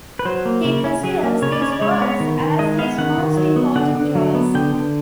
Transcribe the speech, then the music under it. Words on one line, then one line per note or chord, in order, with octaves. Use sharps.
He considers these roles as his most important roles.
B4
F#3 C5
A#3
C#3
C#4
F#3
A#3
C#3 C#5
D5
C#4 C#5
D5
G#3 C#5
D5
B3 C#5
D#3
D#3
G#3 D#5
B3 F5
D#3 F#5
D#3
F#3
B3
D3 F#5
D3
F#3
B3
D3 G5
D3